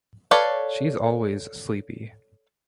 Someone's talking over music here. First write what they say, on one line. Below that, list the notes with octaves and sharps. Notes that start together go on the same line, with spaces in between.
She's always sleepy!
A4 B4 C#5 D5 F5